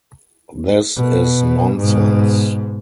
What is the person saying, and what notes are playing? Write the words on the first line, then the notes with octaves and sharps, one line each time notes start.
This is nonsense.
B2
G#2 B2